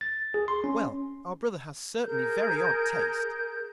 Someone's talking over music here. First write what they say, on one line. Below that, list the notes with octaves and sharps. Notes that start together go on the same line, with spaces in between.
Well, our brother has certainly very odd taste!'
A6
G#4
C6
C#4
G#4 A#4 G6